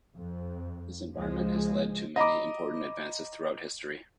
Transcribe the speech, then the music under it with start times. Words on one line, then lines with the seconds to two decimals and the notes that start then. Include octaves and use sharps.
This environment has led to many important advances throughout history.
0.15 F2
1.14 C#2 F3 G#3
2.16 D#5 A#5 B5 D6